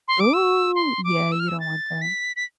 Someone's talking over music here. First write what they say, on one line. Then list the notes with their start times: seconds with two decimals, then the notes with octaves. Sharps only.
Ooh, yeah, you don't want that.
0.08 C6
0.20 D6
0.33 E6
0.76 C6
1.05 D6
1.32 E6
1.40 F6
1.48 E6
1.60 A6
2.02 B6
2.36 B6